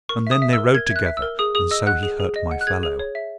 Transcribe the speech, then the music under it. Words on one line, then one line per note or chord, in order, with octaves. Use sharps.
And then they rode together, and so he hurt my fellow.
A#4 C#6
E5 D#6
E5
E6
A#4
A#4 G#6
E5 G#6
F#6
E5
E6
A#4
G#4 D#6
G#4 D#6
D#5 E6
F#5 F#6
G#4
G#4
D#5
F#5
F#6
G#4 G#6
G#4
C#5
E5